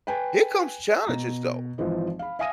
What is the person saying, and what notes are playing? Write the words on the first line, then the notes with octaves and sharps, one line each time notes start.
here comes challenges, though.
B4 G5 G#5
B2 A#5
G#1 E3 F3 D#5
F5 B5
E5 F5 G#5 D#6 A#6 D#7